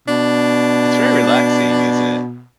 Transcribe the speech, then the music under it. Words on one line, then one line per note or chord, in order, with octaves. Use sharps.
It's very relaxing, isn't it?
B2 D4